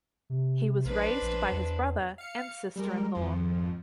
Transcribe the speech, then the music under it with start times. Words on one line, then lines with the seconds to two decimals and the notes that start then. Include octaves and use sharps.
He was raised by his brother and sister in law.
0.30 C3
0.85 A#1 D4 B4 C5
1.22 A#1
1.51 E2
2.18 F5 C#7
2.76 G3 G#3 A#4
3.15 G#1 F2 F3